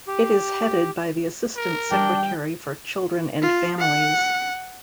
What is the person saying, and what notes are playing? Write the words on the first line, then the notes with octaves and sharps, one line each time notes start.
It is headed by the Assistant Secretary for Children and Families.
G4
A#4
G3 D4 G5
F4
F#5